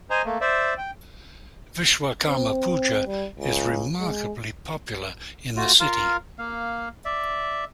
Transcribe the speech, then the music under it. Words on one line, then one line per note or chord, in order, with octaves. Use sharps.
Vishwakarma Puja is remarkably popular in the city.
C5 D#5 G#5 A#5
A3 A#3
C5 D5 E5
G5
C4
G3
C#2
G#3
A3 F4 F#4
F4 A#4 F5
A#3 F5
D5 E5